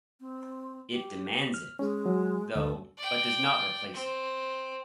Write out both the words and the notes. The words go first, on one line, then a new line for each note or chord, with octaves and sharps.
It demands it, though-but does not replace it.
C4
G4
F6
G#3 C#4
F#3
D2 A4
D5 G5
C4